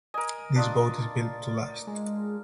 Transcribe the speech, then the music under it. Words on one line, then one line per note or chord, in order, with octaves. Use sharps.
This boat is built to last.
A#4 D#5 G#5
D4 F4 D#5 A6
G#3